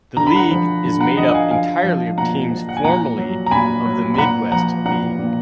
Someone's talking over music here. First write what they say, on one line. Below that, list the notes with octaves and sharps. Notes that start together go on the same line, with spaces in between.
The league is made up entirely of teams formerly of the Midwest League.
D3 A#5
B5
F#5 A#5
F3
D3
F#5 A#5
D3 D#5 F#5
F#5
F5 G#5
F3 F5 G#5
F3
A#2 F#5 A#5
F3
F#5
G#5
A#2 F#5 A#5
F#3
A#5
A#2 G#5 B5
F#3
B5
A#2 F#5 A#5
F3 F#5 A#5
A#2 F#5 A#5
A#2